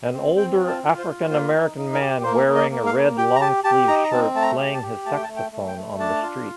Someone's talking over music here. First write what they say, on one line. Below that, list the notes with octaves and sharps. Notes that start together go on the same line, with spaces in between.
An older African American man wearing a red longsleeve shirt, playing his saxophone on the street.
C4
C4 G5
F4
A5
F4
C5
F4
A#3 C5
D#4
D#4
A#4
G4
A#3 C5
A#3
D#5
A#3
F5
A#3
G4 G5
A#5
G4 A5
G4 A5
D#4 A#5
A#5
C4 A5
A3 A5
A#5
G4
A5
G4
A3 A5
G5
A5
A3
G5
A3
G5
A3
D4 A5
F4